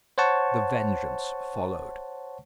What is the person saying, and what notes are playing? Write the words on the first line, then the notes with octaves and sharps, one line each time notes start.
The Vengeance followed.
C5 C#5 F#5 A5 C#6